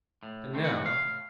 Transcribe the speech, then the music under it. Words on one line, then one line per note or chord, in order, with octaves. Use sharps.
And, now!
A2
E3 A3 C4
F#5
A2 F5